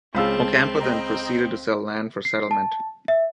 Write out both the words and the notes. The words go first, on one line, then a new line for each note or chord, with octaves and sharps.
Ocampo then proceeded to sell land for settlement.
C#2 C4 C#4 G#4 F5 A5 E6 E7
D#5 G5 A#5
C7
A5
E5